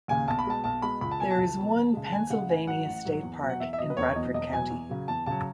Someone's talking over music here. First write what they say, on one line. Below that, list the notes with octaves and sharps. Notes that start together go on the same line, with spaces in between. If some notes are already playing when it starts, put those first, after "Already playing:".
There is one Pennsylvania state park in Bradford County.
D#2 C#3 G#5
B1 A5
B5
B2 G#3 A5
B1 A5
B2 G#3 B5
C#2 B5
A5
B2 F#3 G#5
A5
C#2
B2 F#3
D#2
C#3 G#3
A5
D#2 G#5
C#3 G#3 F#5
A1 G#5
G#2 D#3 F#3 F#5
A1
G#2 D#3 F#3
E2
B2 F#3
F#5
E2 E5
E5
B2 F#3 D#5
B4
E1 C#5
E2 B2 F#3 D#5
E1 D#5
E2 B2 F#3 G#5
E2
C#3 F#3
E2 A5
C#3 F#3 A5